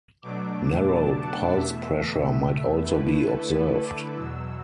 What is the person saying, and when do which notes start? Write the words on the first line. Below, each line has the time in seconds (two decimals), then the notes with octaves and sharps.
Narrowed pulse pressure might also be observed.
0.22 B2 F#3 A3 D4 D6
0.87 A5
1.21 F#5
1.53 E2 B2 A3 E5
2.84 D3 A3 E4 B4
3.17 A4
3.49 B4
3.82 D6
4.14 E2 B2 F#3 E6